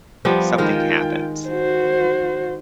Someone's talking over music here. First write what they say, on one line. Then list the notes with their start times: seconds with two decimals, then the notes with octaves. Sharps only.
something happens,
0.25 F3 G3 B3
0.58 D#3 G#3 F4 A#4 G5
1.48 F#4 C5